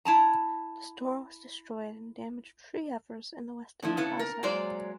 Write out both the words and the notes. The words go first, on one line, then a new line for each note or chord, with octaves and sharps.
The store was destroyed and damaged three others in the West End Plaza.
E4 A5 A#5
D3 F3 E4
C#3 B3 E4 A4
A#4
F#3 G#3 A#3 C5 D5